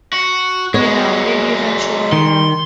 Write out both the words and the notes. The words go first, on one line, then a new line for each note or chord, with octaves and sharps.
you know, maybe eventually, uh,
F#4
F#3 G#3 B3 C#5
D#3 C6